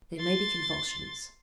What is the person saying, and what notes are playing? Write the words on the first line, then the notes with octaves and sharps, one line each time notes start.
There may be convulsions.
C6 A6